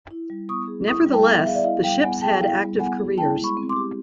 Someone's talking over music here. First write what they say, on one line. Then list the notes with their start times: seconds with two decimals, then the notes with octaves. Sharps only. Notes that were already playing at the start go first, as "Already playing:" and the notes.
Nevertheless, the ships had active careers.
0.11 E4
0.30 G3
0.49 B3 C#6 D#6
0.68 G#4
0.87 E4 C#6 D#6
1.07 G3
1.13 G5 A5
1.26 B3
1.39 E5
1.45 G#4 F5
1.55 D5 E5
1.64 E4 D#5 F5
1.84 G3 F5 G5
2.03 B3 F#5 G#5
2.22 G#4 G5 A5
2.41 E4 F5 G5
2.61 G3
2.79 B3 F#5 G#5
2.99 G#4
3.18 E4 G5 A5
3.37 G#3
3.44 B5 C#6
3.57 C4
3.69 C6 D6
3.76 G4